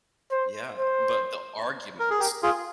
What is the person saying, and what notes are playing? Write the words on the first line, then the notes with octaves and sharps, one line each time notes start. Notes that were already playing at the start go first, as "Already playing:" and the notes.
Yeah, but the arguments
C5
C5
A#4
G#4
G4 A#4
F4 G#4